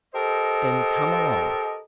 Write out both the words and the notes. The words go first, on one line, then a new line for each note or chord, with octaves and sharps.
"Then come along."
G4 A4 A#4 C5 D#5